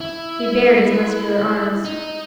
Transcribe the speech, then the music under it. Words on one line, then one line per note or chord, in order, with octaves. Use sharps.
He bared his muscular arms.
E4
D#4